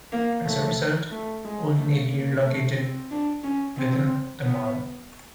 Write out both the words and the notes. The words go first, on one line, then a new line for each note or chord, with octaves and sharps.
As a result, Old Navy relocated within the mall.
A#3
A3
A3
G#3
A3
A#3
A3
C4
D4
C#4
C4
B3